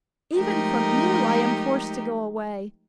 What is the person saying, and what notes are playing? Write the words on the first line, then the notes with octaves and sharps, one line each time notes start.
Even from you I am forced to go away.
F3 G#3 A3 D#4 G4 A#4